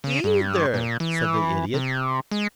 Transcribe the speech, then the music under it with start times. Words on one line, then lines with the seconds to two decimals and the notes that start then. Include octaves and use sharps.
"Either," said the Idiot.
0.04 C#3
0.24 G2
0.74 A#2
1.00 E3
1.74 C3
2.31 G#3